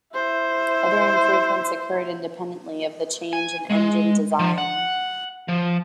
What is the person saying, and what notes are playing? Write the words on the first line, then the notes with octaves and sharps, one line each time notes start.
Other improvements occurred independently of the change in engine design.
E4 C5
G#5
G#3
F3
F#5
F3